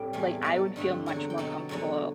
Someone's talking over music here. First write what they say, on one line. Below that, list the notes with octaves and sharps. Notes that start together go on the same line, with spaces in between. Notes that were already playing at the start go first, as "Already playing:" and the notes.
like, I would feel much more comfortable
Already playing: A2 G3 C4 G5
E2 C3 E3
B2 F#3 B3 A5
G2 D3 A3 C4
E2 D3 F#3 G5
G5
B2 F#3 B3 A5
E2 D3 F#3 B3